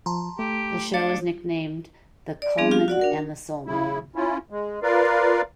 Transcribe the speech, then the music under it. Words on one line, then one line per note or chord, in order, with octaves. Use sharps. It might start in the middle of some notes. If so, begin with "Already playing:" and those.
The show was nicknamed the "Coleman and the Soul Man".
F3 A5 A#5 C6
A3 G4
D4 F5 A6 C#7
D5
G3 B3 C4 D4 G#4
F4 G4 F5
F#4 D5 F#5
D4 A#4
C#3 E4
C#4 E4 F4
G#3
F4 A#4 B4 D5 F5